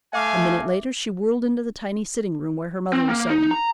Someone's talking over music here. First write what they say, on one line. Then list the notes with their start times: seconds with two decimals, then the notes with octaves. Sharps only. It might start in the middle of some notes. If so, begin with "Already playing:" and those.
A minute later she whirled into the tiny sitting-room where her mother was sewing.
0.13 A3 E5 F5 G#5 D6
2.93 C4
3.09 A#3
3.30 D#4
3.51 A#5